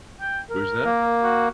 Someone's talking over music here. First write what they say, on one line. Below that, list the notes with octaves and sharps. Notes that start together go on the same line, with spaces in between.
Who's that?
G5
A#4
A#3
F#4